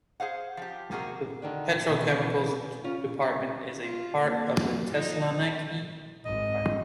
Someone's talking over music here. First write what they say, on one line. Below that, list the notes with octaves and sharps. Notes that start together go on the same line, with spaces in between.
The petrochemicals department is a part of the Thessaloniki refinery.
G#4 C5 F5 F#5
F3 G4
C3 A#3 F#4 G#4 A#4
D3 D#3 D4
B2 D3 E3
C#4 F4
F4
A#3
F3 D#4
G#1 D#5